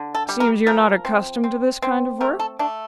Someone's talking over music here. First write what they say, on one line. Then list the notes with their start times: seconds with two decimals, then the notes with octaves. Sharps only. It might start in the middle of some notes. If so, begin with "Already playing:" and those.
Seems you're not accustomed to this kind of work?'
Already playing: D3
0.15 A4
0.29 G3
0.40 A#4
0.67 F3 A#4
1.05 C4
1.44 C4
1.82 C4
2.21 A3 A#4
2.39 A4
2.59 A3 D4